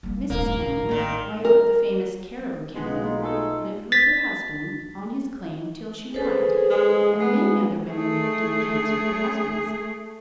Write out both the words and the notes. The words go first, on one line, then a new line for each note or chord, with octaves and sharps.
Mrs Cameron, wife of the famous Cariboo Cameron, lived with her husband on his claim till she died, and many other women lived in the camps with their husbands.
G3 A#3
D1 G2 A#3
A1
A#2 D#3
A#4
B1 G#3 B3 D#4 F4
A3 G#4 A4
A6 B6
G#4 A4 B4 C5
G#3
G#3 B3
A3 G#4